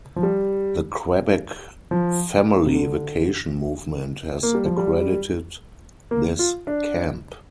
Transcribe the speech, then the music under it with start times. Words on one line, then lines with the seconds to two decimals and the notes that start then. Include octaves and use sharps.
The Quebec Family Vacation Movement has accredited this camp.
0.16 F3
0.23 G3
1.91 F3
2.66 C3
2.75 D3
4.43 A#3
4.55 G3
4.66 F3
4.77 G3
6.11 A#3
6.39 F4
6.67 D4